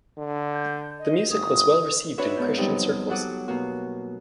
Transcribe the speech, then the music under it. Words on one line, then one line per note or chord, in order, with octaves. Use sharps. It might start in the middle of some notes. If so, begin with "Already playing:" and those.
The music was well received in Christian circles.
D3
G6
D#5
G1 D#6
D4 F#4 B4 C#5 E5
G#2 B3 D4 G6
F2 F#3 G3 B3 D#4
F#3 F#4 A4 F#5 D6 D#6
B2 A#3 F#4